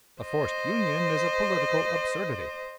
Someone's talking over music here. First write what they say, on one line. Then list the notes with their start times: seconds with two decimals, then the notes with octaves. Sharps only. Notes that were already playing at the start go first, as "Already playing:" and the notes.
A forced union is a political absurdity.
0.23 C5 D#5